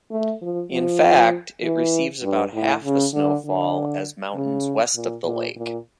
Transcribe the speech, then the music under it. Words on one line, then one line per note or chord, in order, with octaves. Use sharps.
In fact, it receives about half the snowfall as mountains west of the lake.
A3
F3
F3
E3
G2
A2
C#3
D3
D3
C#3
A#2
A#2
A#2